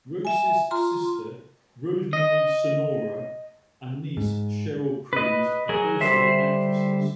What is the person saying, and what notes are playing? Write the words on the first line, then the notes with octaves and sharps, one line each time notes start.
Roces' sister, Rosemarie Sonora, and niece Sheryl Cruz are also actresses.
E5 G#5
F4 A#5 C6
D#5
G#2
B4 D#5
F#3 G#4 A#4
D3 G3 C5 E5